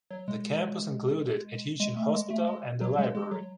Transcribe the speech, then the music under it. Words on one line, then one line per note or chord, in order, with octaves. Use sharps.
The campus included a teaching hospital and a library.
F#3
G#3
G#3
A3
G#3
A3
G#3
F#3
G#3
G#3
F#3